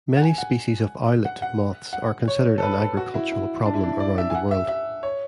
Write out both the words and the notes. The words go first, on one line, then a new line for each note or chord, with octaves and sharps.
Many species of owlet moths are considered an agricultural problem around the world.
F#5
G#5
F#5
F#5
F#5
F#5
C#5
A4
B4
A4
F#4
E4
E4
D4
E4
D4
E4
D5
E5
G#5
F#5
E5
E5
C#5